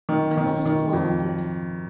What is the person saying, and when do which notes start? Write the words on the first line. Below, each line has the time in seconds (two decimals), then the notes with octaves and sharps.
"I must have lost it."
0.09 D#3
0.37 D#3
0.66 D#3
0.93 F2